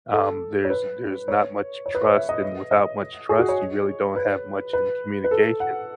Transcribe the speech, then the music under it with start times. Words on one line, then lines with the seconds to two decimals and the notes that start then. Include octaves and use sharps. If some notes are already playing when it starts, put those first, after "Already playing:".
um, there's there's not much trust, and without much trust, you really don't have much in communication,
0.13 A4
0.65 C#5
0.70 B4
1.28 C#5
1.86 C#5
1.95 B4
2.04 C#5
2.14 E5
2.29 D#5
2.71 D#5
3.29 G#4
3.39 F#4
3.49 C#5
4.16 B4
4.73 B4
5.24 B4
5.31 A4
5.60 F#5